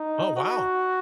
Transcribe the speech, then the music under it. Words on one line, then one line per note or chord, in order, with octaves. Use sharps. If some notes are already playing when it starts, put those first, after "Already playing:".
Oh, wow.
Already playing: D#4
F#4